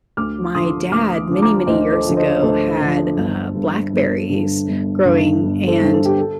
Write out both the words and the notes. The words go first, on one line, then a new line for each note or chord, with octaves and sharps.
My dad, many, many years ago had, uh, blackberries growing, and
D2 D6 F6
D3 F3 C6 D#6
D2 D6 F6
D3 F3
A#5 D6
D2 C5 D#5
A4 C5
D3 F3
C5 D#5
D2 A4 C5
D3 F3
G1
G2 D3
G1
G2 D3
G1
G2 D3
G1
A4 C5
G2 D3
A4
G4
A4